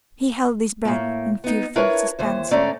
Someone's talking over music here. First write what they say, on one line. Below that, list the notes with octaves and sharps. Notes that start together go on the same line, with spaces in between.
He held his breath in fearful suspense.
A2 A#3
B3 D#4
D4 E4 A#4 B4 C#5
D#2 E3 C5
G#2 D3 A3 C#4 D5 A#5